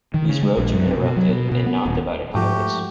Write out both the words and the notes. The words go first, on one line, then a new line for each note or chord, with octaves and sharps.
These roads are interrupted and not divided highways.
D#3
C#3
G#3
A#1
F#2
C3
B2
F#3
B2
B2
B3
D#1
G#2 F3 A3 F#4 G4